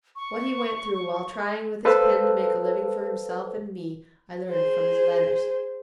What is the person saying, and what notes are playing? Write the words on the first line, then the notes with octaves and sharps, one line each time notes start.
What he went through while trying with his pen to make a living for himself and me I learned from his letters.
C#6
A4 B4 C5 F5 A5 E6
G#4 C5